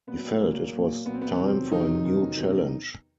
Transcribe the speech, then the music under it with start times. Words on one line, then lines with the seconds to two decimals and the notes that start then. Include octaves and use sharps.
He felt it was time for a new challenge.
0.07 A#2 F#3 B3
0.40 A#2 F#3 A#3
0.72 A#2 F#3
1.05 A#2 F#3 B3
1.14 C4
1.22 B3
1.38 E2 C3 D#3 F#3 C4
1.71 E2 C3 D#3 F#3 D#4
2.03 E2 C3 D#3 F#3
2.37 E2 C3 D#3 F#3